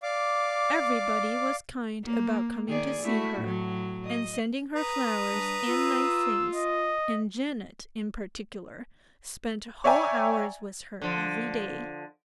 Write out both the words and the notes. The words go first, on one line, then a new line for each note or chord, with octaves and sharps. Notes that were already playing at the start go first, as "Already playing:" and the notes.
Everybody was kind about coming to see her, and sending her flowers and nice things, and Janet, in particular, spent whole hours with her every day.
D5 F5 D6
A#3
D#3 G#4 D5
A3 E4 F#4
A2 F#3
D#5
B4 A#5 D#6
G3 D4
F4 E6
D#5
C#5 D5 E5 G5 G#5 A#5
D3 F3